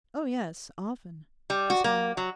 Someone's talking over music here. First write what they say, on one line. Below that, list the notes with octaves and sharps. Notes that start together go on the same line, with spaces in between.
'Oh yes, often.' He smiled.
G3
F#4
A#3
F#3